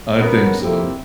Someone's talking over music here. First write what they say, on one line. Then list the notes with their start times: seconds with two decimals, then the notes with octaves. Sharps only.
I think so.
0.18 G#2 B3 C#4 F#4 A#4
0.62 C3 A#3 C4 E4 G4